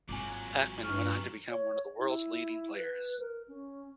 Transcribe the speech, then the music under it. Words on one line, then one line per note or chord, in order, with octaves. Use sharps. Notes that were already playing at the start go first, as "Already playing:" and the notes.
Pachman went on to become one of the world's leading players.
G#1 A#2 F#3 G#5 D6
G2 C#6 F6 B6
C#5
E4
B4
A#4
C#4